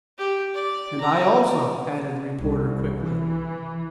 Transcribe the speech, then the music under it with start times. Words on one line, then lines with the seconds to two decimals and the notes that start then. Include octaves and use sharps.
"And I also," added the reporter quickly.
0.18 G4
0.54 D5
1.00 A#5
2.38 C2
2.99 E3